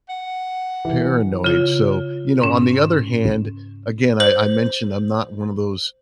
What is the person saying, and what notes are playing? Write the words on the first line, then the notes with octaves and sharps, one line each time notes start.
paranoid, so, you know, on the other hand, again, I I mentioned I'm not one of those
F#5
E3
C#3 F4
G#2 C#4
C5 F#7